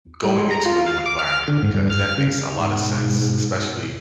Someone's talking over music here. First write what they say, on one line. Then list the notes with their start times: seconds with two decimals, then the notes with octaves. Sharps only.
going into a new environment, because that makes a lotta sense, especially
0.24 G3
0.38 G#3
0.51 A#5
0.66 F4
0.86 F5
1.06 D6
1.19 F6
1.48 D3
1.63 G#2
1.75 G2
1.90 F6
2.18 C#3
2.54 G#2 B2